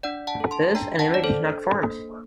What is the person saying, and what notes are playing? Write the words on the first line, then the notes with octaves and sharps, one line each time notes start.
Thus, an 'image' is not formed.
D4 D5 F#5
F#5 A5
A4
A5 C6
D4 G5 A#5
F#5 A5
D4 D5
A4 C5
D4
A#3